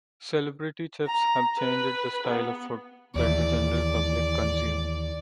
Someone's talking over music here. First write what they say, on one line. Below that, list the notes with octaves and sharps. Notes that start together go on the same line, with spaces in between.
Celebrity chefs have changed the style of food that the general public consume.
A#5
B4
B3
D#2 E3 D5